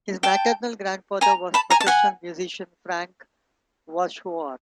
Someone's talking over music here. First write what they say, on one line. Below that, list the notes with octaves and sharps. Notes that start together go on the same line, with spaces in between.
His maternal grandfather was professional musician Frank Warshauer.
G5 A5
G#5 A#5
A5 B5
G#5 A#5
A5
F#5 G#5